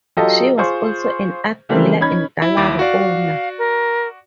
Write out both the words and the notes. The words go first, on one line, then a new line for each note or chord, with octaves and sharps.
She was also an art dealer and gallery owner.
F#3 F4 G4 A4 D#5
F4 G#4 C5 C#6
C#3 E3 G3 A3 A#3 C4
C#4 D#4 B5 G#6
E4
D#2 E4 D6
F#4 D5 F5
A#4